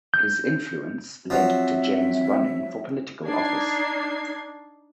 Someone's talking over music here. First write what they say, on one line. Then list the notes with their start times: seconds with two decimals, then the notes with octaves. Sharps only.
His influence led to James running for political office.
0.14 G6
1.30 F3 F#3 C4 E5
3.26 D4 D#4 G#6 C7